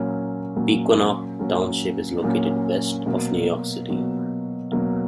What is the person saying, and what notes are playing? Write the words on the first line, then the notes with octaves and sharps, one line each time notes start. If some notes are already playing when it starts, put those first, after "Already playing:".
Pequannock Township is located west of New York City.
Already playing: A#2 F#3 A#3 C#4
A#2 F#3 A#3 C#4
A#2 F#3 A#3 C#4
A#2 F#3 A#3 C#4
B2 F#3 A#3
B2 F#3 A#3
B2 F#3 A#3